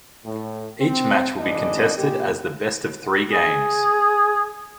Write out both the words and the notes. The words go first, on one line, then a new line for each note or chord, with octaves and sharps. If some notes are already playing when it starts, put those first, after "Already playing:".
Each match will be contested as the best of three games.
A2
C4
G#1 E3 D4 D#5
A#2 G#3 G4
G#4